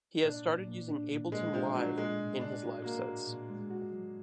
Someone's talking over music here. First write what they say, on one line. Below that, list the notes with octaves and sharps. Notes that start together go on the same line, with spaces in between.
He has started using Ableton Live in his live sets.
A#2 D4
A#2
A#2
D4
A#2
A#2 G#3
F3 D4
F#3 D4
A#2 G#3
A#2
A#2 D4
F#4
A#3 F#4
F#4
A#2
G#3
F#4
F#3